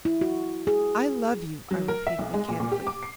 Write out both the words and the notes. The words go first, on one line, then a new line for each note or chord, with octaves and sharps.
"I love you," I repeated mechanically.
E4
F#4
G#4
F#3
A#4
E5
B1
G#3
A#2
A#2
G4
D6
C7